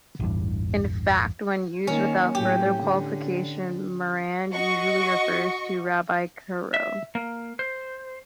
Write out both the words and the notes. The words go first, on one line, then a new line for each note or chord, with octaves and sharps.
In fact, when used without further qualification, Maran usually refers to Rabbi Karo.
A1 E2 G2
D#3 A#3 C#4
A2 F#3 G4
D3
F#4 D#5 C#6
E5
A#3
C5